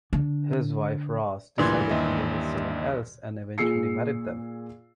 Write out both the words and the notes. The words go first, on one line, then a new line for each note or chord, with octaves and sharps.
His wife Ros decided to live with someone else and eventually married them.
D3
D2 G2 A#2 E3 C6 G#6
D#2 D#5 E5
A#2 G#4 E6 C7 C#7